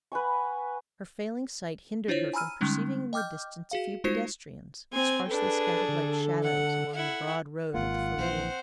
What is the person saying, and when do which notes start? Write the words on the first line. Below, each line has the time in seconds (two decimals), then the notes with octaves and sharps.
Her failing sight hindered her from perceiving in the distance a few pedestrians, sparsely scattered like shadows, along the broad road of the faubourg.
0.12 B4 F#5 G#5 C#6
2.08 D4 E4 F4 C5 C#5
2.33 G#5 A#5 B5 E6 F6 D#7
2.61 D3 G3 G#3 C#4 D#4
3.13 D#5 G5 D6 F6 G6
3.71 F#4 G#4 F5
4.04 G#3 D#4 F4 F#4 C5 C7
4.93 C4 G5 G#5
5.31 D4 G#4 A4 B4
5.88 D3
6.44 F#5
6.92 E4 F#5
7.74 G#1 A#3 F4 F#5
8.18 A#1 E3 C4 C5